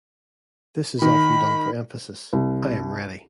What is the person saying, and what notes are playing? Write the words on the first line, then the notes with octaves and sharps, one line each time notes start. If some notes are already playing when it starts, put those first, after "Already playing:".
This is often done for emphasis: I am ready!
D#3 B5
C2